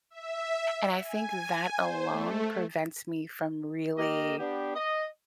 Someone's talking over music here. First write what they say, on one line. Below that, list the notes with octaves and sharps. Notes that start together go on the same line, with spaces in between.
and I think that alone prevents me from really,
E5
G#5
C5
A3
A#3 G4 D#5
B3 D4 G4
D#5